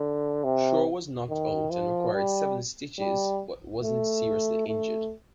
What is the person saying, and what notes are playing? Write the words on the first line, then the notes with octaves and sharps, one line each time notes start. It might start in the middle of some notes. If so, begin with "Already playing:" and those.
Shore was knocked out and required seven stitches but wasn't seriously injured.
Already playing: D3
C3
D#3
F3
G3
G3
A3
A3